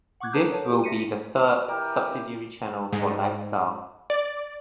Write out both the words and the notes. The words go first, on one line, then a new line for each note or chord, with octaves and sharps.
This will be the third subsidiary channel for LifeStyle.
F#5 C#6 D6 F#6 G#6
A#4 B4 A5 A#5 D#6 G6
A4 C#5 A5
F4 G4 C6
E5 A#6 B6 C#7 D#7
E3 G4 A#4
G#2
D5